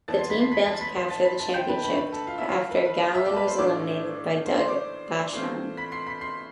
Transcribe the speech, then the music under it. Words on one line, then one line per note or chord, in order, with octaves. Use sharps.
The team failed to capture the championship after Gowen was eliminated by Doug Basham.
F2 E3 B3 A5 A6
C6 C7
B5 B6
C6 C7
B5 B6
A5 A6
B5 B6
C6 C7
A5 A6
B5 B6
A5 A6
G5 G6
B4 B5
G2 D3 A3 B4 B5
B4 B5
A4 A5
F4 F5
E4 E5
F4 F5
B4 B5
B4 B5
E5 E6
D5 D6
A5
B4 B5
C5 C6
A2 E3 A3 D4 F4 D5 D6
C5 C6
C5 C6
D5 D6
E3 A3 C4 F4 C5 C6
B5 B6
C6 C7
B5 B6
C6 C7